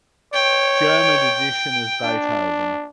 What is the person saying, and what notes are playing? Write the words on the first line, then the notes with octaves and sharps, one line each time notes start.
German edition as Beethoven.
C#5 G5
D4